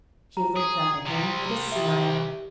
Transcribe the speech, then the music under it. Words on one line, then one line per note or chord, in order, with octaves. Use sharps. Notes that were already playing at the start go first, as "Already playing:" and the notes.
She looked up at him with a smile.
A#5
G#4
C3 G3
G4 E5